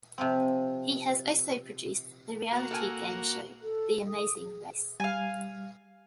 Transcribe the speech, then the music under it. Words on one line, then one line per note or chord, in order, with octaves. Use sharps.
He has also produced the reality game show "The Amazing Race".
C3 F3 C4
A#3 F#4
A4 A#4 G#5
A4
D#6
G#4
G3 F5 G#5